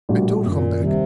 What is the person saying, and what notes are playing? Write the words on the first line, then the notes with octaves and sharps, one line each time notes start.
And don't come back.
A#1 A2 G3 A#3 F#4
F#1 F#2 A#2 D#3
D#2 C3 D#3 G3